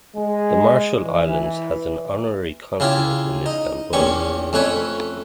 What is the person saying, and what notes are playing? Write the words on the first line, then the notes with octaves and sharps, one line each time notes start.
The Marshall Islands has an Honorary Consulate in Istanbul.
G#3
E3
C#3 E4 F4 G4
D#4
A#1 E2 C#4 G4 C#6
F2 A3 C#4 B4 C#5